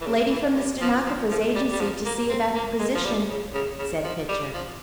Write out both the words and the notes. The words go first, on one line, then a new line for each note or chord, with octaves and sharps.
"Lady from the Stenographer's Agency to see about the position," said Pitcher.
E3
C#3
E3
G3
F3
F3
F3
G3
G3
F3
A#3
C4
A#3
G#3
F3
G3
C#3
C#3
C#3
F3
G3
F3